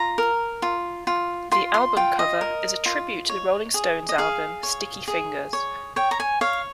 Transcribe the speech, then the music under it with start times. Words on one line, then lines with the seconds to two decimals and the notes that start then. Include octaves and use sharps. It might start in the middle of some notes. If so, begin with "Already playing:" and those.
The album cover is a tribute to The Rolling Stones' album "Sticky Fingers".
Already playing: F4 A#5
0.18 A#4
0.62 F4
1.07 F4
1.52 F4 C6
1.74 C6
1.97 F4 G5
2.19 D#5
2.41 A#4
2.86 F4
3.29 C#5
3.74 G#4
4.09 D#5
4.18 G#4 F5
4.63 C#5
5.08 G#4
5.53 C#5
5.96 C#5 G5
6.11 A#5
6.20 G#5
6.41 C#5 F5